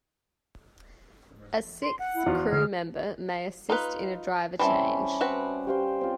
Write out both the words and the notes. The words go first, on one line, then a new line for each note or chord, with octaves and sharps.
A sixth crewmember may assist in a driver change.
C6
F#5
E4
E2 F3 F4 F#4
D2 G#4 F6
D#4 F4 B4
E3 G3 C4 C#4 E5 A5 B5
C4 F#4 B4
G4 C5 F5 G5
C4 F4